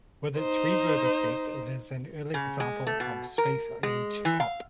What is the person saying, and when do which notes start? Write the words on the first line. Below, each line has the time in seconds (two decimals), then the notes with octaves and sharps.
With its reverb effect it is an early example of Space Age Pop.
0.38 D#4 C5
2.34 C#3
2.60 G#3
2.87 A3
3.00 B2
3.38 A#4
3.83 G#3
4.25 E3
4.40 F5